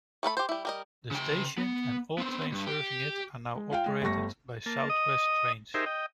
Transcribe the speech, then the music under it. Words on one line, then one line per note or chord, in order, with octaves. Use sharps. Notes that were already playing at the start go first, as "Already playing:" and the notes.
The station and all trains serving it are now operated by South West Trains.
A3 A4 A#4 B5
G4 C5
G3 E4
G3 A#4 D#5
C#3 G5
B3
B3 C4
G2
G4
G#3
F4 F5 G5
G#3
G1 G3 A3 C#6 A#6
A#3 A5
D#5 D#6
D#4 G4 G#4 A#4 C5 E5
D#5 G5